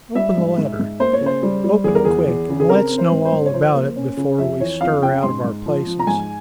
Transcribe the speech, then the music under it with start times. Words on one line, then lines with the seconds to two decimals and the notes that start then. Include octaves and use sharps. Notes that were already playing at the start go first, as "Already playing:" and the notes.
Open the letter--open it quick, and let's know all about it before we stir out of our places.
0.15 G3 E5
0.37 G#2
0.58 G#2
0.79 G#2
1.00 A#3 C5
1.13 C#5
1.21 C#3
1.26 C5
1.43 G3
1.64 G3
1.84 E2 G#4
1.95 A#4
2.05 E2 G#4
2.28 E2
2.49 C#3
2.60 G#4
2.69 C4 A#4
2.90 C4
2.98 C5
3.12 G#2
3.25 C5
3.32 G#2
3.46 C#5
3.54 F3 C5
3.75 A#3
3.96 C#4
4.17 C#3
4.38 F2 E5
4.60 E3 C#5
4.81 F2 F5
5.02 C#3 G5
5.23 G#2 C6
5.44 G#2
5.66 F3
5.87 F3
5.99 A#5
6.07 G#2 G#5